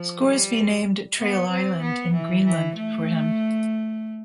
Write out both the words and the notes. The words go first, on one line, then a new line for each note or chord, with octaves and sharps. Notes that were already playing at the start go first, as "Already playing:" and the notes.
Scoresby named Traill Island in Greenland for him.
Already playing: F3
G3
B3
C4
B3
E3
E3
A3